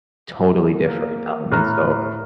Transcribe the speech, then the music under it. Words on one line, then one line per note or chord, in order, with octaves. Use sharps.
totally different, um, and so
A#3
A2 A#5 F6 F#6